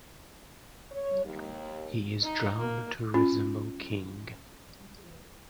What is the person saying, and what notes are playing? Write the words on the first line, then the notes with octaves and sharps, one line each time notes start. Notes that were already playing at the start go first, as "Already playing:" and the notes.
He is drawn to resemble King.
C#5
D#2
D#4
A#3
C#4 F4